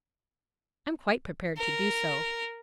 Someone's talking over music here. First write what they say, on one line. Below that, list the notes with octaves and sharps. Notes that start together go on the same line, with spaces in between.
I'm quite prepared to do so.
A#4